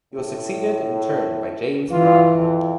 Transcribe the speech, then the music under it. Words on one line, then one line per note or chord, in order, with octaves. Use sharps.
He was succeeded in turn by James Brown.
A2
E3 F4
F2